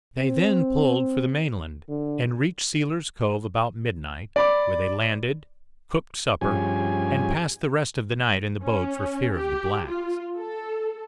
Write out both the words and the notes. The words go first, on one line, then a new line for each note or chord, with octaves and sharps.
They then pulled for the mainland, and reached Sealer's Cove about midnight, where they landed, cooked supper, and passed the rest of the night in the boat for fear of the blacks.
C4
D3
D5 B5 D6
G2 F3 C#4 G4 G#4 G#5
C#4
G4
F4
A4